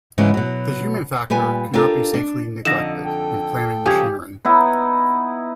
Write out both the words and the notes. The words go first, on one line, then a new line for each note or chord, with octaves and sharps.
The human factor cannot be safely neglected in planning machinery.
G#2 C#3 E3 G#3 B3
B2 F#3
A#2 G3 B4 G#5
D4 F4 G4 A4 A#4 A5
D4
F2 D3 D#4 D#5 A#6 E7
A4 G5
G2 C#3 F3 G4 G#5 G#6
B3 D#4 E4